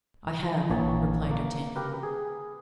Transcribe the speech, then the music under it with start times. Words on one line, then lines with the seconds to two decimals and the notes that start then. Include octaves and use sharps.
"I have," replied D'Artagnan.
0.70 A#1 E3 A#3 C#5 A5
1.31 A#3
1.76 G4 A#4 B4
2.03 G#4